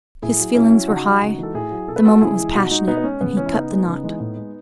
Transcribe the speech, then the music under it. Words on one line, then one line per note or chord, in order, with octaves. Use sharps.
His feelings were high, the moment was passionate, and he cut the knot.
A2 E4 G#4
F#3
B2 C#4 E4
F#3
C#3 D#4 F#4
F#3
C#3
E3 G#3 A4
A2 E4 G#4
F#3
B2 A4
B4
G#3 F#4 A4
C#3 E4 G#4
E3 G#3
B2 D#4 F#4
G#3 D#4 F#4
B2 B3 D#4
B3
G#3 C#4
C#3 B3
E3 G#3 C#4
E4
C#3 B3 D#4
G#3
C#3
E3 G#3
A2
G#3